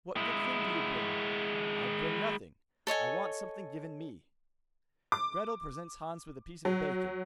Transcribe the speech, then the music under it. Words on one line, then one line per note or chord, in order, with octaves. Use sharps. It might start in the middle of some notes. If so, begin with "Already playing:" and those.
What good thing do you bring?' 'I bring nothing, I want something given me.' Gretel presents Hans with a piece of bacon.
G#3 E4
A4 C#5 D#5 G#5
D6
F#3